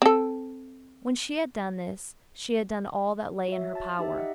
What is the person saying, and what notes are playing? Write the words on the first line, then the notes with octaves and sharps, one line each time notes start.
When she had done this, she had done all that lay in her power.
C4 A4
F#4 C#5 E5
A5 A6
D#4 G4 E5
D#5 F#5